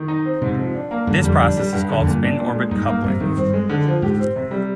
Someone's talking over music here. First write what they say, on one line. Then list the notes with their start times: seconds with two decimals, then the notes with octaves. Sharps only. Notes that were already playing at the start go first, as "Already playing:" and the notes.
This process is called "spin-orbit coupling".
Already playing: D#3
0.08 D#4
0.25 C4
0.42 G#2 C3
0.58 F3
0.75 D4
0.91 A#3
1.07 G2 D3
1.24 F2 G3
1.40 D4
1.57 G3
1.73 G2
1.89 D3
2.00 F2
2.05 G2 A#2
2.23 D4
2.38 A#2
2.54 G#3
2.71 G2 D#4
2.87 G2 A#3
3.04 G2 C3
3.20 G2 D#3
3.37 G2 C4
3.53 G#3
3.69 D3
3.86 F3
4.02 G#2 G4
4.19 C4
4.36 C3
4.51 G3